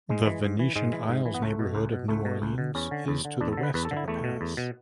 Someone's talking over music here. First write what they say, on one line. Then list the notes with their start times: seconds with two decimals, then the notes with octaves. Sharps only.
The Venetian Isles neighborhood of New Orleans is to the west of the pass.
0.09 G#2 G#3
0.26 E3
0.43 G#2
0.59 E3
0.76 G#2 G#3
0.93 E3
1.09 G#2
1.25 E3
1.34 B3
1.42 C#2 A3
1.59 B2
1.75 C#2
1.92 B2
2.08 C#2 A3
2.25 B2
2.42 C#2
2.58 B2
2.75 E2 C#4
2.91 D3
3.08 E2
3.25 D3
3.41 E2 D4
3.53 A4
3.57 D3
3.63 B4
3.74 E2 B4
3.85 A4
3.91 D3
3.97 E4
4.08 E2 A3
4.24 B2
4.41 E2
4.57 B2